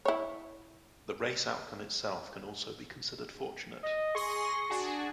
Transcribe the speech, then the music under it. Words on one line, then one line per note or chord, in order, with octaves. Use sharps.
The race outcome itself can also be considered fortunate.
E4 C#5
D#5
G#4 C6 C#6 A#6
D4 F#4 G#4